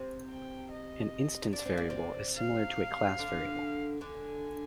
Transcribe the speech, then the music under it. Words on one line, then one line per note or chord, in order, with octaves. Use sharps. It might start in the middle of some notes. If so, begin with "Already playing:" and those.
An instance variable is similar to a class variable.
Already playing: C3 C4
G5
D#5
D4 D5
C4
A#3
C3 C4
F5
D3 D4
D3 D4 G#5